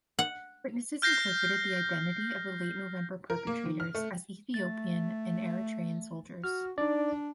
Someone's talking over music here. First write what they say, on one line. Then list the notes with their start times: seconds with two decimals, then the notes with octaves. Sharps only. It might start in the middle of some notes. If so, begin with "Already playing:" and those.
Witnesses interpreted the identity of the late November perpetrators as Ethiopian and Eritrean soldiers.
0.19 F#5
1.02 F6 G6 A#6 C7
3.30 A#4
3.47 A#3
3.65 D#3
3.80 F6
3.95 A3
4.54 A3 A6
6.44 F#4 F6
6.78 D4 D#4 D5